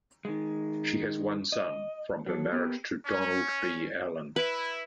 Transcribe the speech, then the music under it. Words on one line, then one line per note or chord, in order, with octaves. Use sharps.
She has one son, from her marriage to Donald B. Allen.
D#3 G#3
D#5
F#3 A4
B3 G4 A#4
C#4
E4 B4